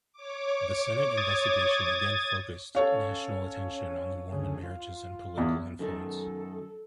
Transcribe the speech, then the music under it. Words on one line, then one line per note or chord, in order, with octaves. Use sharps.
The Senate investigation again focused national attention on Mormon marriages and political influence.
C#5 D6
D#6 G#6 A6
C#4 A4 C#5 F5
D2 C#3 G#4
F4
E2
F#2 D#3 A4